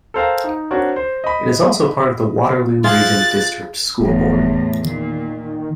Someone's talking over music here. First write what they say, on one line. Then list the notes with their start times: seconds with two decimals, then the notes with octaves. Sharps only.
It is also part of the Waterloo Region District School Board.
0.14 A4 A#4 C5 F5 G5 A#5
0.44 D#4
0.71 C4 D4 F#4 A#4 C#5 D5
0.96 C5
1.24 D#5 B5
2.84 F4 G#4 F#6 A6
4.00 F1 E2 A2
4.85 A#2 D#3